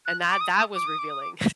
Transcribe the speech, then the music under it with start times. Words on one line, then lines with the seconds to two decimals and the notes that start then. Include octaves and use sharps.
And that that was revealing.
0.06 F#6
0.30 D6
0.41 D#6
0.58 D#6
0.75 D6
0.87 D#6
0.99 D6
1.10 D#6
1.22 D6